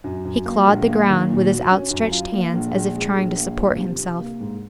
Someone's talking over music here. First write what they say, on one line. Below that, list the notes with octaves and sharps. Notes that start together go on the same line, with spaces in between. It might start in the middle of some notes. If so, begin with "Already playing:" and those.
He clawed the ground with his outstretched hands as if trying to support himself.
F#2
F#2
A#3
A#1
A#3
D#3
A#2
F#4
C#4
F#2
F4
A#3
A#1
A#1
G#3
A#1
A#3
F3
C3
C3
A#3
G#2